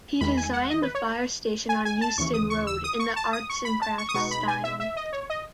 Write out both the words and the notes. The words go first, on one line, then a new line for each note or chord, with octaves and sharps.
He designed the fire station on Euston Road, in the "Arts and Crafts" style.
E2 D#3 G#3 B5
G#5
F#5
D#5
B4
C#5
G#5
G#5
A5
D#2 C#3 E3 C#6
D#6
C#6
E6
D#6
C#6
A5
D#6
C#6
B5
A5
C#6
D#6
B2 G#3 B3 D#4 C#6
B5
G#5
E5
E5
D#5
C#5
D#5